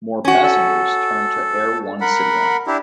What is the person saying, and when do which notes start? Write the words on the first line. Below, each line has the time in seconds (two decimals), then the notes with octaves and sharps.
More passengers turned to Air One Cityliner.
0.25 C#4 F#4
0.43 A4
2.01 A#4 F#5 B5
2.67 D4 E4 G4